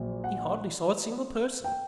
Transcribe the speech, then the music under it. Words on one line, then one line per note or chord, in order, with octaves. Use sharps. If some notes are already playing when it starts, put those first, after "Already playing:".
He hardly saw a single person.
Already playing: A#1 A#2 F#3
F#5
G5